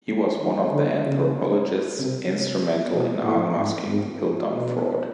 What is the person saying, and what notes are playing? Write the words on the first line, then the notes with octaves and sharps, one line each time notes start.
He was one of the anthropologists instrumental in unmasking the Piltdown fraud.
D#3
D3
C#3
C3
C3
B2
A2
G#2
G#2
B2